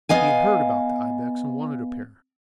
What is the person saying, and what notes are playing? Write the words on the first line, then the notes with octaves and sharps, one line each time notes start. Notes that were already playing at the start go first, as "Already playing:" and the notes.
He had heard about the ibex and wanted a pair.
B3 D#5 F5 G#5